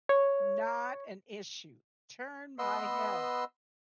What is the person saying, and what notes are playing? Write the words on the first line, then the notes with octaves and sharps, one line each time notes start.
Not an issue. Turn my head.
C#5
B3 B4 D#5 C6 E6